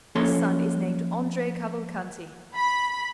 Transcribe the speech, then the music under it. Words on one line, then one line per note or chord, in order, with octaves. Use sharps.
This son is named Andrea Cavalcanti.
F3 A#3 C#4 A4 C#5 C6
B5